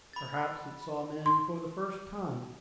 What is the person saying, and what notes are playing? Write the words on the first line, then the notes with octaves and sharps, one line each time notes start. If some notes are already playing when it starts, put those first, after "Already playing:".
Perhaps it saw men for the first time.
B5 A6
C6